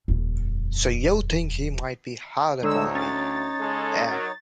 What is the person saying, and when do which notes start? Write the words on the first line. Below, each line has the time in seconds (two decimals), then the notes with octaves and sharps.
So you think he might be hard upon me, eh?
0.08 D#1 F2
2.63 D2 D3 G#3 D#4 C#5 E6
2.95 C#4 A6
3.59 C#3 G#3 A4
4.08 F#3 A#4